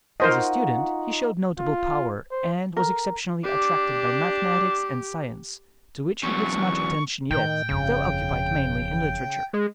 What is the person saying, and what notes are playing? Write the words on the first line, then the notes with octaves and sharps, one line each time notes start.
As a student he showed notable power, and was exceptionally attracted by mathematics and science, to which he gives much attention yet, though occupied mainly in literature.
D#4 F4 F#4 A#4 C5 D#5
F4
C5
A#4
D4 G4
E2 F#3 C#6
A2 D#3 G5
G1 F2 C#3
G#3